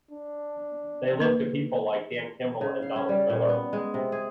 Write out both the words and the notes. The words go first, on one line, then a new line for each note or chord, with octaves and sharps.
They look to people like Dan Kimball and Donald Miller.
D4
A#3 B4
C#3
F5
C#4
G3
A#2
B3
G#3
C3
G#4